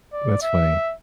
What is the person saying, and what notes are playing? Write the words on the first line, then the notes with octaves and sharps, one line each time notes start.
That's funny.
D5
E5